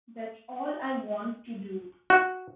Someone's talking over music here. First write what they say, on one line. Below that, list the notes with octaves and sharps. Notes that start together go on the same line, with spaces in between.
That's all I want to do.
F#4